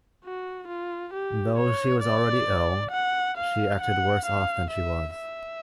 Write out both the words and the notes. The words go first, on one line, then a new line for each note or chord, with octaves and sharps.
Though she was already ill, she acted worse off than she was.
F#4
F4
G4
C#5
D5
F#5
F5
F#5
F5
E5
E5